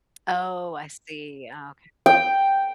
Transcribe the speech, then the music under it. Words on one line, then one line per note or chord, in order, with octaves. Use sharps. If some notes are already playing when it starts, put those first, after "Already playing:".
Oh, I see. Oh, okay.
G5